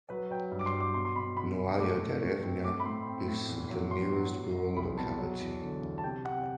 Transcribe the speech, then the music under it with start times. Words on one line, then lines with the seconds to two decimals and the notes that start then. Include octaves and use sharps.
Noaya Derevnya is the nearest rural locality.
0.10 F#3 B4
0.31 F#3 G5
0.51 G2
0.59 D6
0.66 C6
0.73 F#3
0.80 D6
0.94 B2 C6
1.00 D6
1.05 C6
1.16 B2 B5
1.37 B2 B5
1.58 B2
1.79 A3 D6
2.00 A3
2.22 A3
2.43 C4
2.64 A3 D6
2.80 B5
2.85 A2 C6
3.06 C4
3.28 A2
3.48 E2
3.70 F#3
3.91 F#3 C6
4.13 F#3
4.34 F#3
4.55 F#3
4.76 C2 B5
4.97 B2 A5
5.19 F#3
5.40 E2
5.61 D3
5.82 E2
5.98 A5
6.03 C3 G5
6.25 C3 F#5